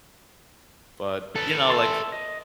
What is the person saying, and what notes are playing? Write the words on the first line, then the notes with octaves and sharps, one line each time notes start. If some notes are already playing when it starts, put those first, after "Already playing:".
But, you know, like,
A4 B4
E5 A5 C6
D#5